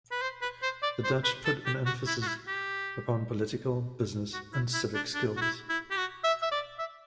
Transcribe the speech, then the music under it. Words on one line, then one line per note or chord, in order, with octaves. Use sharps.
The Dutch put an emphasis upon political, business, and civic skills.
B4
C5
B4
C5
D5
C5
B4
A4
G4
F#4
E4
F#4
E4
G4
F#4
E4
E4
D4
D4
F#4
E4
E4
G4
F#4
E5
E5
D5
E5